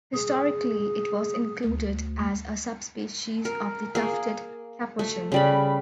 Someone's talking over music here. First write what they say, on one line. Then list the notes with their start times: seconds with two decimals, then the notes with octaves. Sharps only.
Historically, it was included as a subspecies of the tufted capuchin.
0.14 G#4
1.65 D2
3.45 A#4
3.95 A#3 G#4
4.99 A3
5.32 C#3 G3 B5